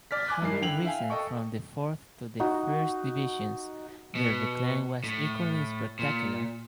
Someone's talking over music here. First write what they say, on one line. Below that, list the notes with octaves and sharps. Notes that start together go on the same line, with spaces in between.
Having risen from the Fourth to the First Divisions, their decline was equally spectacular.
D5 F6 B6
G#5 D6 F#6
G2 D#3 E4 C7
D3 E4 G5 F7 F#7
E5 F5 G5 G#5
A4 D#5 G5 C#6
D#4 F#4
B2
A2
A#2